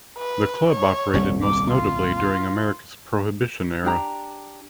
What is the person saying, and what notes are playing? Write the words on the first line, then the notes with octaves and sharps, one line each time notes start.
The club operated most notably during America's Prohibition Era.
B4
C#5
D#1 C2 G3
D6
F4
D4 G4 A#5